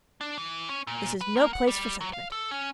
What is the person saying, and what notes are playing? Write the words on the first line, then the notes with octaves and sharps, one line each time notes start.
This is no place for sentiment.
D4
E3
C#4
A#2
B4
A#3
F#5
G3
F#3
F5
A4
C#4